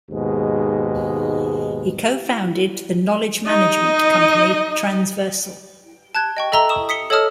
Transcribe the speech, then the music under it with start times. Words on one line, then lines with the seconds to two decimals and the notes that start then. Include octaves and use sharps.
He cofounded the knowledge management company Transversal.
0.11 D#2 G#2 B2 G#3
3.47 D#4 D#5
6.15 A5 F#6 G#6
6.37 D#5 G5 C#6
6.52 A4 D#5 E5 A#5 E6 G7
6.69 C#6 D#6 E7
6.89 D#6 B6 C#7 G7
7.10 A4 C#5 D#5 A5 D#6 F6